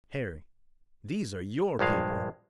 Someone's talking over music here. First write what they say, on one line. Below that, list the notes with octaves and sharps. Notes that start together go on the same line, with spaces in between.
"Harry, these are your people."
A#1 G2 G#3 F5